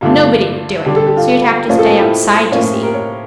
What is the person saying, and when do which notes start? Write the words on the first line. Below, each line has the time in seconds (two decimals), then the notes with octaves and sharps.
"Nobody would do it; so you'd have to stay outside, you see."
0.01 G2 D3 A3 D4 F4
0.86 D3 G3 D4 G4
0.96 A4
1.07 G4
1.17 F4
1.68 A2 F3 A#3 C#4 F4
1.79 A4
1.89 G4
2.00 E4
2.51 A2 F3 A#3 C#4 F4
2.62 F4
2.73 G4
2.83 A#4
2.94 C#5